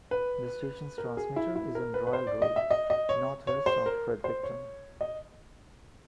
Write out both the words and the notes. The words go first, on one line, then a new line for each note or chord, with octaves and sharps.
The station's transmitter is on Royal Road, northwest of Fredericton.
B4
A#4
G#4
E4
E4
A#4
B4
B4
C5
D5
D#5
E5
D#5
D#5
C#5
C#5
C5
A#4
C5
C#5
D#5